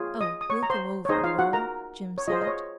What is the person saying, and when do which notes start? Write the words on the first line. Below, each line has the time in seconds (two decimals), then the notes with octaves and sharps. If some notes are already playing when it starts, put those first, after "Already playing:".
"Oh, we'll go over, Wal," Jim said.
Already playing: F4 G#4 C#5
0.21 D#5 D#6
0.41 D#6
0.50 C#5 C#6
0.63 A#5
0.70 C5 C6
1.05 C#5
1.09 D#4 G#4 C5 D#5
1.24 F4 F5
1.39 F#4 F#5
1.53 A#4 A#5
2.18 C#5
2.28 F4 G#4 C5 D#5
2.42 D#5
2.47 C#5